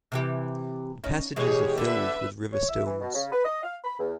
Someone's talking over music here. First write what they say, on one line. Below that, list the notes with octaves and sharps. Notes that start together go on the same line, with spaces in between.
The passages are filled with river stones.
C3 E3 G4
C#4 D#4
B2 E3 G#3 G4 G#4 C#5
D3 B4 E5
C#5
E5
E3
B2
C#3
B4
D#5
F5
B5
E2